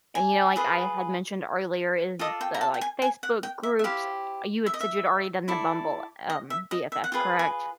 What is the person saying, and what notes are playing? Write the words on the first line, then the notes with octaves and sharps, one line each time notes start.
And, you know, like I had mentioned earlier is the, like, Facebook groups, uh, you had said you'd already done the Bumble, um, BFF, correct?
G#5
F4 G#4 B4
F4 A4 D5 D#5
G5
A#5
A5
G5
G#5
G#5
F#5
G5
E5
E5
E4 G4 C5 F5
E5
D#5
E5
E4 A4 D5
D#5
E5
D#5
E5
F#5
F4 G#4 B4 G5
G#5